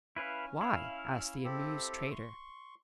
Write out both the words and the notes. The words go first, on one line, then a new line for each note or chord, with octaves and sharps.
'Why?' asked the amused trader.
C#4 E4 B4 F5
E4 F5
C4 G4 A4
C6 C#6